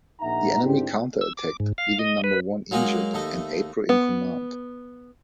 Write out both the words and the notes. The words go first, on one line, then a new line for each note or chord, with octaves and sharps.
The enemy counter-attacked, leaving Number One injured and April in command.
A#1 D#4 E5 F#5 A#5
G#2 D3 C4 D4 E4 G4
E6
D6
G#2
F5
D#5
B4
F#3 G#3 A#3 D#4 G#4 D#5
D#2 A3 D#5
B3